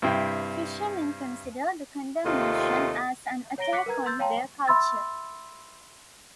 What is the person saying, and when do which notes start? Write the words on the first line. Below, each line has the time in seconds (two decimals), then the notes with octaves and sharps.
The fishermen consider the condemnation as an attack on their culture.
0.02 G2 C3 E4 G5
2.25 D#2 C3 A3 C4 F4 D#5
3.58 C#5 F#5 A#5 A#6 D7 G7
3.73 D6 F#6 B6 C#7
3.86 A#4 B4 F#5 A#5 G#6
4.06 C6 E6 G6 A6
4.19 C#5 F5 G5 A5 A#5 C6
4.68 E5 B5 C6 E6 A6